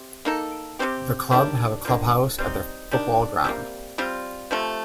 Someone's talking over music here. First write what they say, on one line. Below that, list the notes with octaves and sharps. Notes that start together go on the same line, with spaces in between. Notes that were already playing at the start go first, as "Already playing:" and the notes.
The club have a clubhouse at their football ground.
Already playing: C3
A#3 D#4 A4
C3 G3 C4 G4
D#3 G3 D4
F3 A#3 D4
G3 C4 D#4
D#3 G3 D4
C3 G3 A#3
G3 C4 F4
C3 F3 A3